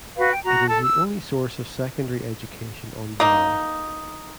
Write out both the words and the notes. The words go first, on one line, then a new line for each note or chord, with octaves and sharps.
It is the only source of secondary education on Barra.
F#4 B4 F5
G5
F#4 A#5
A4 A5
E6
A#3 D#4